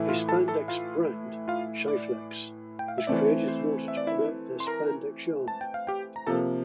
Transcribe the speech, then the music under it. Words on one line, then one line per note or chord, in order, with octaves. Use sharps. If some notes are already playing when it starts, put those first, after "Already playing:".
A spandex brand, Sheiflex, is created in order to promote their spandex yarn.
Already playing: A2 E3 A3 E4
F4 F5
A4 A5
A4 A5
F4 F5
F4 F5
D5
G5
F5
E5
E3 A3 C4 D5
C5
E5
D5
E4 E5
C6
A#4 A#5
A5
G5
F5
G4 G5
A#5
C3 F3 A#3 A4 A5